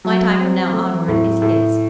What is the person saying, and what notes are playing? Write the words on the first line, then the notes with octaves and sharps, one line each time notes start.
My time from now onward is his.
F#3
C4
A3
A2
A2